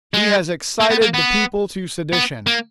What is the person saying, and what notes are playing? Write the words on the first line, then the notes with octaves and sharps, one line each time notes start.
He has excited the people to sedition.
G#3
A#3
B3
A#3
B3
B3
A#3